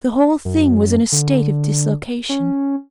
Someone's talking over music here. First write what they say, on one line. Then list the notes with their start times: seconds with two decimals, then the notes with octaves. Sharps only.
The whole thing was in a state of dislocation.
0.45 F#2
1.12 D3
2.29 C#4